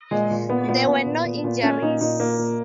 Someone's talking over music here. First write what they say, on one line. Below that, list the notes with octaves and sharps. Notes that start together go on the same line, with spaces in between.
There were no injuries.
A#2 G#3
A#2
A#2 B3
A#2 B3
A#2
A#2
A#2
A#2
A#2 C#4
A#2 D#4
A#2 D#4
A#2 A#3
A#2